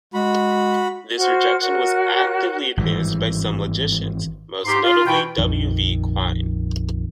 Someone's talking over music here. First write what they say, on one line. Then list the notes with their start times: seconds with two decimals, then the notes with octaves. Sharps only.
This rejection was actively advanced by some logicians, most notably W. V. Quine.
0.14 G#3 F#4 B5
1.17 F#4 C5 F6
1.60 F#4 A#4 C#5 F#6
2.77 G#1 G2 D3 E3
4.65 G#2 G4 C6
4.83 F4
5.06 B2 E3 E4 F#4 B4 G5
5.38 A#1 F2 D#3